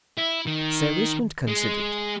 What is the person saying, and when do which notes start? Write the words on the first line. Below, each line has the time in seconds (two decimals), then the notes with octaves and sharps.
Sir Richmond considered.
0.18 E4
0.47 D#3
1.48 G#3